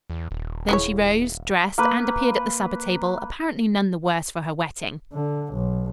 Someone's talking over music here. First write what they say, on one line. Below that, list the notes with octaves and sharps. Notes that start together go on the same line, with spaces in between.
Then she rose, dressed and appeared at the supper table apparently none the worse for her wetting.
E2
D#1
G#3 E4 C#5
A#3 B4
D3
B1